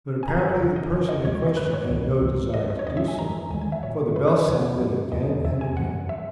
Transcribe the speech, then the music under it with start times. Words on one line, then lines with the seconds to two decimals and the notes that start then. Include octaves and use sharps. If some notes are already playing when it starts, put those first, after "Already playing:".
But apparently the person in question had no desire to do so, for the bell sounded again and again.
0.23 G#5
0.28 F#2 C#3 E3 A#5
0.39 G#5
0.49 F#5
0.60 E2 C#3 F#3
0.76 D#5
0.92 F#2 D#3 F#3 C#5
1.09 D#5
1.25 D#2 D#3 G#3 C#5
1.35 C#5
1.47 D#5
1.57 F#2 D#3 G#3 B4
1.74 C#5
1.89 C#2 C#3 E3
2.22 C#2 C#3 E3
2.54 G#2 F#3 D#5
2.70 D#5
2.79 C#5
2.86 D#2 D#3 F#3 D#5
2.97 E5
3.08 G#5
3.19 F#2 E3 G#3 A#5
3.50 D#2 D#3 G#3 G#5
3.61 G#5
3.72 E5
3.83 A#2 F#3 C#5
4.16 G#2 D#3 F#3 B4
4.28 B4
4.32 C#5
4.47 E2 C#3 G#3 C#5
4.80 F#2 D#3 F#3
5.12 E2 C#3 F#3 D#5
5.45 E2 D#3 F#3 E5
5.61 G#5
5.77 F#2 E3 G#3 F#5
6.09 F#3 E5